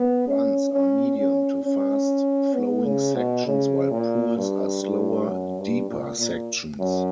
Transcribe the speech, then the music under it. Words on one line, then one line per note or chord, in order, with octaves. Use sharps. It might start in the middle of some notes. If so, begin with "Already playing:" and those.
Runs are medium- to fast-flowing sections while pools are slower, deeper sections.
Already playing: B3
C#4
C#4
C#4
C#4
B3
C#3
B2
C#3
A#2
G2
G2
F#2
G2
A#2
A#2
F#2